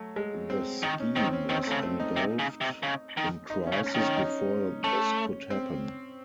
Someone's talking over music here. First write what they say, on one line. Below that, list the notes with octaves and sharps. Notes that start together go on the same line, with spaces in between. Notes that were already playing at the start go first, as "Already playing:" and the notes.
The scheme was engulfed in crisis before this could happen.
Already playing: F#3 A3
G#3
C4
D#3 D#4
C#4
D#3 C4
C#4
D#3 C4
A3
C#3
C4
D#4
C3
C#3
C3
C#3
D#3
D#4
C#4
C#3
C#4
D#3
C#4
D#4
A3 C#4
C4